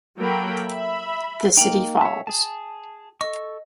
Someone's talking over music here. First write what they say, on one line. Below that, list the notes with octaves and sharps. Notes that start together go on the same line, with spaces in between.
The city falls.
F#3 A#3 A4 A#4 G5 B5
E5 B5
A#3 D#4 G5 F7 F#7
C#5 E5
G#4 A5
A4 D#5 C#6